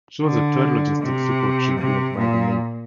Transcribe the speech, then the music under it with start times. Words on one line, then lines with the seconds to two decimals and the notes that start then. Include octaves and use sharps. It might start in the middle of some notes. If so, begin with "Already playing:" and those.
She was the third logistic support ship built by the Navy.
0.24 D3
1.02 C3
1.78 C3
2.17 A#2